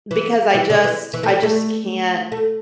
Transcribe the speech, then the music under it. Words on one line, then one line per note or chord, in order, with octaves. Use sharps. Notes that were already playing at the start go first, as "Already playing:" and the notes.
because I just I just can't
E3
E3
D3
E3
E3
A3
G3
A3
A3